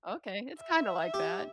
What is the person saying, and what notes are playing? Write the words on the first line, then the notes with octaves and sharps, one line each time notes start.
Okay, it's kinda like that.
E5
G4